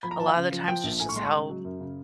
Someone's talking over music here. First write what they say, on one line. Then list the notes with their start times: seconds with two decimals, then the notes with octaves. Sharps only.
a lot of the times, that's just how,
0.03 F3 B5
0.11 A#5
0.20 F3 A5
0.28 F5
0.37 C#3
0.52 F3
0.68 F3 G5
0.84 A#1
1.00 A2 G#5
1.09 C#6
1.16 G#3 C6
1.25 C#6
1.33 C#3
1.49 F#3
1.65 F#2
1.80 C#3